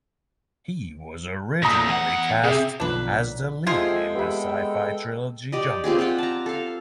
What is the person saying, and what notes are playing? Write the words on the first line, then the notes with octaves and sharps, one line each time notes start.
He was originally cast as the lead in the sci-fi trilogy Jumper.
A#2 A3 A#5 D#6 A#6
E2 F#5
C3 G#4 E5
B1 D3 F3 D4 B4
C3 F3 G#3 F4 G#4 A4 G5 C7
B3 G4 E5 B5
G4 D5 D#5
C4 F4 G4 G#4
F4 G4 F#5 G5
A5 A#5
A4 F5